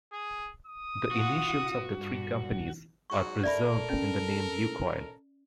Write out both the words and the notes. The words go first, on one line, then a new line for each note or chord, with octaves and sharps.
The initials of the three companies are preserved in the name Lukoil.
G#4
D#6
F4 F#4 F#5
G2
G#2 F#3 F#4 C#6
A4 A#4 D5 E5 B5
C#4